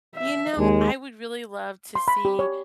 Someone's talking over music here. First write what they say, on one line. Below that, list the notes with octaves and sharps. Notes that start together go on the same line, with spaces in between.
You know, I would really love to see
E5
D#2 G#3
C6
B5
G4
C#5